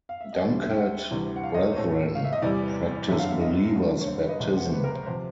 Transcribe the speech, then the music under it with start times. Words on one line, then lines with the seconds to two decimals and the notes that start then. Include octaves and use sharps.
Dunkard Brethren practice believer's baptism.
0.09 F5
0.20 E5
0.33 D#5
0.44 D2 D3 G3 D5
0.61 E5
0.70 G5
0.78 F#5
1.11 D2 C3 E3 G3
1.36 F#5
1.43 F5
1.54 D#5
1.65 C#5
1.72 C5
1.76 A2 E3 A3 C#5
2.15 F5
2.24 E5
2.33 D#5
2.42 E2 C3 E3 G3 D5
3.09 F#2 D3 F#3 A3 E5
3.19 F5
3.30 E5
3.41 D#5
3.74 G2 D3 F#3 A3
4.01 C#5
4.07 C5
4.18 B4
4.29 D#5
4.40 D2 C3 F3 G#3 E5
4.56 F#5
4.65 C5
4.73 B4
4.84 A#4
4.95 C5
5.06 C3 F3 C5